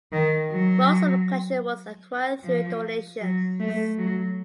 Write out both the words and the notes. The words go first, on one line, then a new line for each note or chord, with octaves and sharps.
Most of the collection was acquired through donations.
D#3
F#3
F3
F#3
A3
F#3